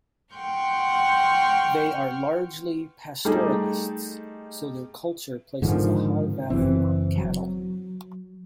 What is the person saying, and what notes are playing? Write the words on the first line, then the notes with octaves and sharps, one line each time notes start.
They are largely pastoralists, so their culture places a high value on cattle.
F#5 G5 C6 C#6 F6
G3 A3 D#4 G4 G#4
G#2 D3 D#3 F3
F#1 E3 C4
F#3